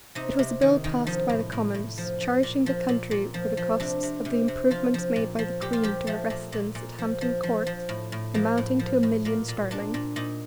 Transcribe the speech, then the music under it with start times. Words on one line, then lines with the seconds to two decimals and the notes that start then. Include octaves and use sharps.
It was a bill passed by the Commons, charging the country with the costs of the improvements made by the Queen to her residence at Hampton Court, amounting to a million sterling.
0.15 C3 D#4
0.39 C3
0.61 D#3
0.84 D#3
1.07 F3 D#4
1.29 A2
1.52 A2
1.74 A2
1.98 F3
2.21 F3
2.43 A#2
2.66 F3
2.89 A#2
3.11 A#2
3.34 F3
3.57 F3
3.80 C3 D4
4.03 C3
4.25 C3
4.48 C3
4.71 F3 F4
4.94 F3
5.16 A#2
5.39 F3
5.61 A#2 G4
5.73 F4
5.83 F3 G4
6.07 F3 A3
6.30 A#2
6.52 A#2
6.75 A#2
6.98 F3
7.21 F3
7.43 F3
7.66 F3
7.89 A2
8.12 A2
8.34 F3 A#3
8.57 A2
8.79 F3
9.03 A2
9.25 A#2 A#3
9.48 A#2
9.71 A#2 D4
9.94 A#2
10.16 A#2 D#4